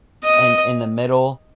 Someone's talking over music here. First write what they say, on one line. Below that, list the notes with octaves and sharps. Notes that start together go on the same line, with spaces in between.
in in the middle,
D#5